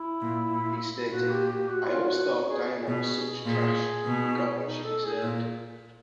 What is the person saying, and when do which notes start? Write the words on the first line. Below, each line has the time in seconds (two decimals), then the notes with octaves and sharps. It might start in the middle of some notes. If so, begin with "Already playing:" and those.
He stated: I always thought Diana was such trash and got what she deserved.
Already playing: E4
0.22 A#2
0.52 A#2
1.10 A#2 F#4
1.30 G4
1.50 G4
1.69 F#4
1.84 E4
1.88 F4
2.09 F#4
2.48 G#4
2.67 G#4
2.88 B2
3.46 A#2 G#4
4.05 B2
4.64 D#4
4.84 A4
5.04 G#4
5.23 A#2